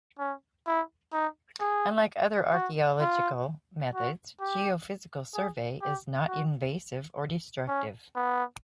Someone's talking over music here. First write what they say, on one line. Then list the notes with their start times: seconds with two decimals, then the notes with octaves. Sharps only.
Unlike other archaeological methods, geophysical survey is not invasive or destructive.
0.19 C#4
0.67 E4
1.13 D#4
1.60 G#4
2.53 F#4
3.01 F4
3.95 F#4
4.40 G4
5.34 G#4
5.82 G4
6.28 F#4
7.68 C#4
8.16 B3